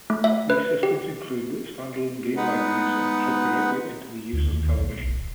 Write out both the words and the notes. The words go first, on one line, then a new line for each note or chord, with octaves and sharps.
These systems include stand-alone game libraries and plug directly into the user's television.
A3
E5
B4
G4
G#3 B3 D#4 B4 F#5
D2
D#2
B1
D1